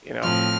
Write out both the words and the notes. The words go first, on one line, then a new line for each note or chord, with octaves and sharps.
you know,
A2 F3 C4 F6